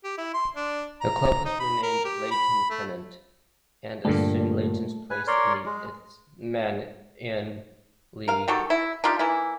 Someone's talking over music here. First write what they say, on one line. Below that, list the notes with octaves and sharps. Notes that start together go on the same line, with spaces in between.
The club was renamed Leyton Pennant, and assumed Leyton's place in the Isthmian League.
G4
E4
C6
D4
A#5
D#4
B5
A#4
G4
B5
A3
G2 A#2 D3 G3 A3
B4 G#5
A#4 C#5 D5 C6
G#3
A#4 F5
D#3 F#4 G4 A4
E4
D4 D#4 F4 G4
E3 A#3 E4